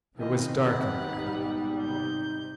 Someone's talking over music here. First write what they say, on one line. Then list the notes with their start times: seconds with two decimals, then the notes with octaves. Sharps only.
It was dark in there.
0.18 A#2 D#3 E3 C4 A#4 D#5
0.56 D#4 G4 B4 F#5
1.19 G#1 B2 G3
1.81 C3 G6